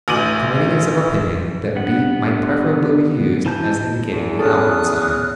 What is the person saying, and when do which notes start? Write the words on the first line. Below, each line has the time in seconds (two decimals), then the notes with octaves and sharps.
The Committee is of opinion that Beat might preferably be used as indicating the outward sign.
0.08 A1 D2 D6 D#7 F#7
1.76 G2 B3 F#5
3.46 E3 A5 G6
4.10 E2
4.39 C#4 A4 D#6 F6 F#6